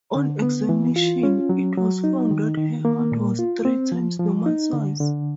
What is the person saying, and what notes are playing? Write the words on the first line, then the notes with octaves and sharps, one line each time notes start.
On examination it was found that her heart was three times normal size.
D3
B3
E3
F4
C#4
F#3
F#3
D#4
D#3
D#3
A#3
A#2
F4
C4
F3
F3
D#4
D3
D3